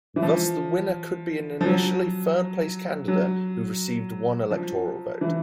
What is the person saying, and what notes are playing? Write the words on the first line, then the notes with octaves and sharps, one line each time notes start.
Thus the winner could be an initially third-place candidate who received one electoral vote.
E3
F3
F3
F#3
F#3
F3
E3